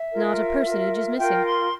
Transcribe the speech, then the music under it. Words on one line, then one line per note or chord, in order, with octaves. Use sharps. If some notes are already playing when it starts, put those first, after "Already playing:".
Not a personage is missing.
Already playing: E5
F4 A#4
F4 A#4
F4 A#4 G5
C6